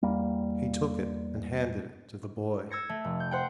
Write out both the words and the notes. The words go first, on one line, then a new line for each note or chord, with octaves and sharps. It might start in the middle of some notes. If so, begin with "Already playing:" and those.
He took it and handed it to the boy.
E2 G3 A#3
E6 G#6 A#6 C#7
A3
F1
G6
C5 F#5 G5